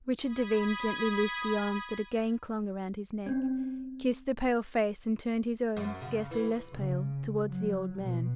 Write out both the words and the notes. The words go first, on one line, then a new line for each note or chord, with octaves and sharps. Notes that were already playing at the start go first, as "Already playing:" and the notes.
Richard Devine gently loosed the arms that again clung around his neck, kissed the pale face, and turned his own--scarcely less pale--towards the old man.
B5 D#6 G#6 B6
C4 C#4
F#2
C#3
E3
C#3
F#3
B2